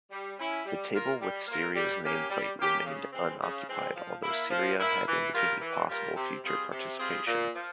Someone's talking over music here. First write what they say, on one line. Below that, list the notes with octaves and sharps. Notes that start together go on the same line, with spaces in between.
The table with Syria's nameplate remained unoccupied, although Syria had indicated possible future participation.
G3
C#4 E4
G3
A#3 F4 A#4
G3
A#3 F4 A#4
G3
A#3 C#4 G4
G3
A#3 C#4 G4
C#3
E3 G#3 C4
C#3
E3 G#3 C4
F3
A#3 E4
F3
A#3 E4
E3
G3 A#3 F4 A#4
E3
G3 A#3 F4 A#4
C3
G3 C4 F4 G#4
C3
G3 C4 F4 G#4
A#2
F3